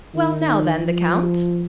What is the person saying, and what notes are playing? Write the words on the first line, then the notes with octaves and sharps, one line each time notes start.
"Well, now then, the count?"
D#3
F3